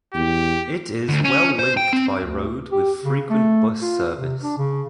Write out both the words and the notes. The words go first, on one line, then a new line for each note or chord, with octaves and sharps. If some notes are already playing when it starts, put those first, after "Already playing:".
It is well-linked by road with frequent bus service.
E2 G4
D2
C#4
C5
G5
C4
D2
G4
C#3
A3
F4
C3
D4
C#3